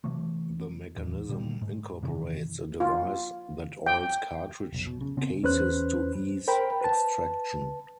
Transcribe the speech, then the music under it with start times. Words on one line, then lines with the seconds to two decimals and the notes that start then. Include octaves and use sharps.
The mechanism incorporates a device that oils cartridge cases to ease extraction.
0.04 C3 E3 F#3 A3
0.96 D1 E2
1.29 A#2 D3 G3
1.62 G#2
2.03 F#2 C3 D#3 E3
2.80 F4
3.86 G5
4.72 F1 B1
4.86 B2
5.01 C#3
5.17 C#3 B3 C4
5.43 E2 C#4 B4 C5 F#6
6.48 A#4 C5 G5 B5
6.81 B4 A5